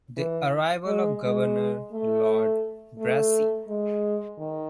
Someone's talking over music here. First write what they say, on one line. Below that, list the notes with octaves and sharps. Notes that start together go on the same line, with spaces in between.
The arrival of the Governor Lord Brassey.
E3
G#3
G#3
A3
A3
G#3
D#3